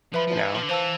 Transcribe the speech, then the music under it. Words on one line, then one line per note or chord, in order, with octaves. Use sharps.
You know?
F3 B4 E5 B5
F3
E3
F3
D3
E3 C5 F5 A5 E6